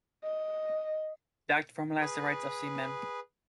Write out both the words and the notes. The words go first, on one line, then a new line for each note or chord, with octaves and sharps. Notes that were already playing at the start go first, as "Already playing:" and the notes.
The act formalized the rights of seamen.
D#5
G#4 B4